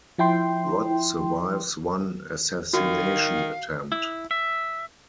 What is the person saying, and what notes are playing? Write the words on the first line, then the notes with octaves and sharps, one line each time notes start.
Rod survives one assassination attempt.
F3 E4 G5 C6
D#3 F#4 F5
E4
E5